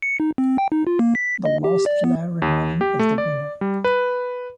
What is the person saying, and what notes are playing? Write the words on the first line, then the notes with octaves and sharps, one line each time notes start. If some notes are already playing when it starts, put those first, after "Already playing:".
The last player remaining is the winner.
C#7
D#4
C4
G5
D#4
F4
A#3
B6
D#5
G4
D5
B3
D#2
G4
A3
D5
G3
B4